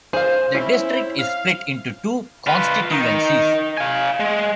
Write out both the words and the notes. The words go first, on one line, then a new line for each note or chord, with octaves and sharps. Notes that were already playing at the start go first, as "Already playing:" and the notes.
The district is split into two constituencies.
G#4 C5 F5
C4 C#4 E4
F5
F4 B4
D#3 D#4
F5 G#5
G#3